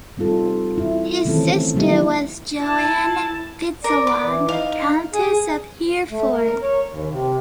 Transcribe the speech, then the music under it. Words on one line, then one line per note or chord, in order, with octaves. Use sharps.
His sister was Joan Fitzalan, Countess of Hereford.
G3 C4 D#4 F4 A4
E4
D#3 E3 A3 C4 C#4 A4
F#3 G3 A#3 D#4 E4 G4
E4 A5
A#4 D5
D6
E3
D#4 F5
G#4
A3
A#4
C#5
D#2
C3